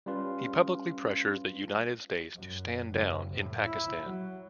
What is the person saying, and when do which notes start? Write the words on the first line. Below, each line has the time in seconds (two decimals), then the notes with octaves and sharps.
He publicly pressures the United States to stand down in Pakistan.
0.06 G3 C#4 F4 B4
2.36 F#2
2.91 F#1
3.33 A2
3.64 E4
4.04 F#3